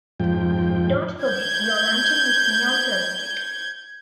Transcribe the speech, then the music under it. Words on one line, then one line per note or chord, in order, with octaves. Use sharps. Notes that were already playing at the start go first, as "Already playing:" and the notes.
Don't forget, you're lunching with me on Thursday.
F2 G#2 F3 G5
G6 G#6